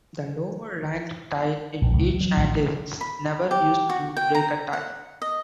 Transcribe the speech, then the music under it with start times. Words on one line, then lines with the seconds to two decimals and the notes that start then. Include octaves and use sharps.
The lower-ranked tile in each hand is never used to break a tie.
1.82 A#1
1.93 C#2
2.08 E3
2.21 F#3
2.37 A1
3.01 B5
3.51 G4
3.89 F#4
4.17 G5
4.35 A#5
4.73 F#5
5.22 D#5